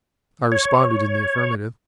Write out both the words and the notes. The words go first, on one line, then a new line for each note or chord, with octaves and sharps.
I responded in the affirmative.
C#5